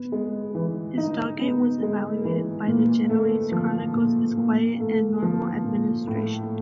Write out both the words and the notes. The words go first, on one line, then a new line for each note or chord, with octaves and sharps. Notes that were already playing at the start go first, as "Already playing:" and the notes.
His Dogate was evaluated by the Genoese chronicles as quiet and "normal administration".
Already playing: B3
G#3
E3
D#4
B3
G#3
E3
A#2
A3
F3
A#2
A#2
A3
F3
A#2
A2